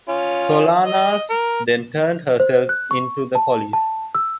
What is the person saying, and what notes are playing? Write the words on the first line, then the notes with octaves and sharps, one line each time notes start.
Solanas then turned herself in to the police.
C#4 F4
D#5
A#4
C5
F#6
C#6
A5
A5
E6